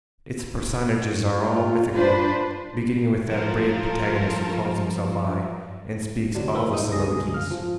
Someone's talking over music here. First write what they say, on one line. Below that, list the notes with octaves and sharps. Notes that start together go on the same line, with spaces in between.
Its personages are all mythical, beginning with that brave protagonist who calls himself I and speaks all the soliloquies.
F4
D4 B4 C5
F3 F4 A4 A#4
D2 A2 C3 F#3 D4
E3 F3 A3 A#3 E5
D#3 D#4 D#6
C#2 B2 D3 G#4 D#6 A#6
G#1 F5 F6
F3